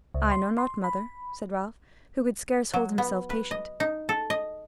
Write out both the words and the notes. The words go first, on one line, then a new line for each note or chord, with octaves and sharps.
"I know not, mother," said Ralph, who could scarce hold himself patient.
C#2
C6
C6
B5
F#3
B3
B4
D#5
D#4
A4
D#5